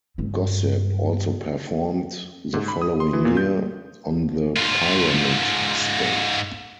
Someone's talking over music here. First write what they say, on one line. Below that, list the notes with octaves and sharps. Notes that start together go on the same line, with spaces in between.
Gossip also performed the following year, on the Pyramid Stage.
G2 C4
G#2
B5
D#6
C6
E3
A#2
G6
G#2 F4